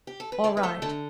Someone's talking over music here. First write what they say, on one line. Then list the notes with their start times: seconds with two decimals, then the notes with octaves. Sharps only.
'All right.
0.07 G4
0.20 A4
0.32 B4
0.44 D2 A4 D5
0.57 B4
0.63 A3 A4
0.82 D3 A4